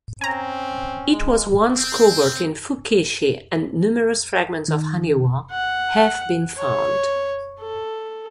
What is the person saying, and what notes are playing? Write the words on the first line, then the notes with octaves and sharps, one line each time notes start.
It was once covered in "fukiishi" and numerous fragments of "haniwa" have been found.
C4 C#4 G#5 A#5
G#3
C4
D#3
F#5
C#5
A4